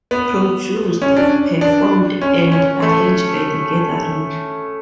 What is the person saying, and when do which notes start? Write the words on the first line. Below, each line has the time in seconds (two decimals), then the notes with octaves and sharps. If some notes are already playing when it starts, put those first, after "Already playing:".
Produced, performed and arranged by The Gathering.
0.11 B3
1.02 C#4
1.16 D4
1.61 D4
2.21 C#4
2.52 C#4
2.82 A3